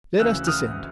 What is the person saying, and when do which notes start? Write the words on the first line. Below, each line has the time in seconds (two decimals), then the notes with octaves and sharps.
Let us descend.
0.19 D2 C#3 E3 E6 F#6
0.47 D#6 F6